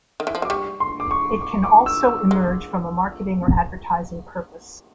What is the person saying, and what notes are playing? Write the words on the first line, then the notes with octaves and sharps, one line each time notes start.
It can also emerge from a marketing or advertising purpose.
D#3
E3
F3
F#3
D6
G3 C#6
C6
D6
C#6
D6
D6
E6
E6
G#3